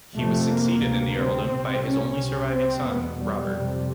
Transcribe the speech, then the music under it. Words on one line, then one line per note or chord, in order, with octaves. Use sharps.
He was succeeded in the earldom by his only surviving son, Robert.
F2 C3 A3
A#3
D2 C3
C4
C2 C3
C#4
C2 C3
C4
E2 B2 B3
G3
F2 C3